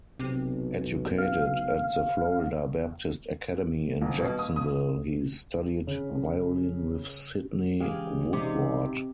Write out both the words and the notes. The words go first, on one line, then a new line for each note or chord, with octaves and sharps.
Educated at the Florida Baptist Academy in Jacksonville, he studied violin with Sidney Woodward.
B1 C3
F5
D#1
B2
D#6
D#6
C#3
C#3 E3 G#3 G4 G#4 F5
C3 D#4